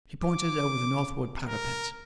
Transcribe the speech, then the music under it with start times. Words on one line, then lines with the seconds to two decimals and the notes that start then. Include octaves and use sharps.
He pointed over the northward parapet.
0.23 D6
1.48 A#4